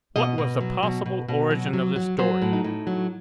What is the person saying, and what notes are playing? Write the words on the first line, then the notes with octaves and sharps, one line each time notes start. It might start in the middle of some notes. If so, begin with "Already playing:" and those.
What was the possible origin of this story?
B2 D#5
B2
F#3
B2
B2
B2
F#3
F#3
F#3
F#3 C5
A2
D#4
A2
F#3